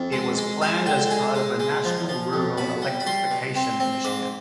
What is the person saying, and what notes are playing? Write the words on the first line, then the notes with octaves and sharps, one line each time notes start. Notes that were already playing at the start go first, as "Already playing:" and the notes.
It was planned as part of a national rural electrification initiative.
Already playing: F2
G#3
G#3
G#3 G#5
D3 G5
G#3 G#5
G#3
G#3
F3
F3
F2
B2 B5
G3
B5
G3 C6
B2
C4
C4
G#2 D6